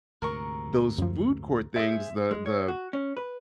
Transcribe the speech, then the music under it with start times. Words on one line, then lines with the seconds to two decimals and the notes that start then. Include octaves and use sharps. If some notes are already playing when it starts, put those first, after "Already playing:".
those food court things, the the
0.22 D2 G#2 C3 A#4 A#5 C#6
0.98 F#2 F3
1.76 G#4 C5 E5
2.31 G#3
2.46 C#5
2.68 F#4
2.93 C#4
3.17 B4